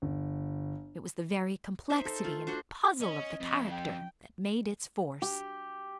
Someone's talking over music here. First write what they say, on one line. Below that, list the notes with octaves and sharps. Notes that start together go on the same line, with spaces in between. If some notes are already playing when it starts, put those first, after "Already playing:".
It was the very complexity and puzzle of the character that made its force.
G1
D#4 C5 E5
A4
A3 F4
D4 F#4 C5 F#5
C#4 D#5
F2
G5
G4